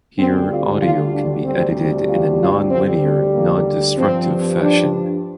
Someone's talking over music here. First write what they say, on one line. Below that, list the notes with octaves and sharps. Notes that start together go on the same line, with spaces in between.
Here, audio can be edited in a non-linear, non-destructive fashion.
D2 D3 G3 C4
F4
F4
D4
D2 C3 G3 C4
F4
F4
D2 D3 G3 C4
C4
A#3
G2 F3 C4
D4